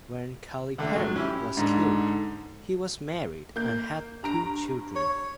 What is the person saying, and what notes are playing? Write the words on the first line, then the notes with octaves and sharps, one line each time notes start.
When Calipari was killed, he was married and had two children.
C#2 D3 A3
G#2 F#3
C#4 E4 G4
G#2 D3
A#3 G6
G2 A#5 D7
C#5